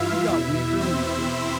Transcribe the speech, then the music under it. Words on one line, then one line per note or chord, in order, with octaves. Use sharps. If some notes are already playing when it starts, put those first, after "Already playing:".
He got weaker and weaker.
Already playing: G2 E3 E4 F4 E5 F5
E2 B2 E4 E5
C4 C5